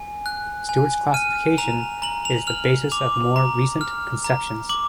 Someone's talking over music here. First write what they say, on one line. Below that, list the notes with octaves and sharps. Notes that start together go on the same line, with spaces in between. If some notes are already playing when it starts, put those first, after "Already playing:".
Stewart's classification is the basis of more recent conceptions.
Already playing: G#5
F#6
G#5
F6 D#7
A#5 F7
A#5 F#7
F7
F6 F7
D6 F7
A#5
F6
A#5
D6 F#7